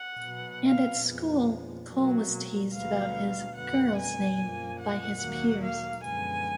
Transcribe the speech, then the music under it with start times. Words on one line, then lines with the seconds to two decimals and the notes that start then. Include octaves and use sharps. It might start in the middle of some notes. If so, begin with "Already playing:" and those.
And at school, Cole was teased about his "girl's name" by his peers.
Already playing: F#5
0.24 B2 F#3 B3
0.66 F5
1.07 F2 F3 G#3 B3
1.91 B2 F#3 A#3
2.73 D2 D3 F#3 B3 F5
3.55 F2 D3 F#3 B3 F#5
3.96 G#5
4.38 F#2 F3 A#3
4.79 F#5
5.20 D#2 D#3 F#3 A#3
5.62 F5
6.03 F#2 D3 F3 G#3 B3 G#5